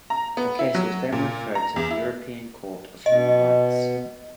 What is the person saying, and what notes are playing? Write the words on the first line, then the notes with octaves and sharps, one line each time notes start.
The case was then referred to the European Court of Human Rights.
A#5
B3
E4
F#3
A#2
A#5
E2
E4
B2 D#5